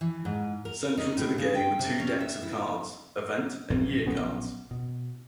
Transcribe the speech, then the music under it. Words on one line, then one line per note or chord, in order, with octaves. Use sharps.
Central to the game are two decks of cards, Event and Year cards.
E3
G#2
A#4
D#4
A2
C#3
G5
C3
C#4
E5
E4
A#1 G2 E3
A#1 F#3 B3 C#4
B2